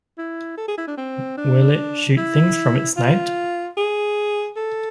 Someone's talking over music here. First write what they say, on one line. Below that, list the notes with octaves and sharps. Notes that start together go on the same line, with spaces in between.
Will it shoot things from its snout?
E4
A4
G#4
E4
D4
C4
D4
E4
F4
G#4
A4